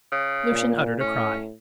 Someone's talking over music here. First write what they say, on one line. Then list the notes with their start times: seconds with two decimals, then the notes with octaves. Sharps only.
Lucian uttered a cry.
0.12 C#3
0.51 A#2
1.00 A2 C#4